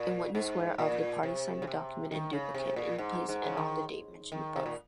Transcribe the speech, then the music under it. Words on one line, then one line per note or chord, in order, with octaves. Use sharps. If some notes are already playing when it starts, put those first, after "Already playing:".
In witness whereof, the parties sign the document in duplicate, in the place and on the date mentioned above.
Already playing: A#2
G#2
A#2
C3
C#3
C3
D#3
C#3
C3
A#2
G#2
G#2
C#3
D#3
D#3
C3
A#2